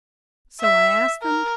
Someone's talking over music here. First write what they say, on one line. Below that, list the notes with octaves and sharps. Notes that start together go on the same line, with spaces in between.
So I asked them.
E5
A#4